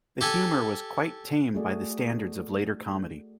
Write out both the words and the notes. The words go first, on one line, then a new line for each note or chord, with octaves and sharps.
The humor was quite tame by the standards of later comedy.
G4 A4 G#5
A3 F#4 G#4 D5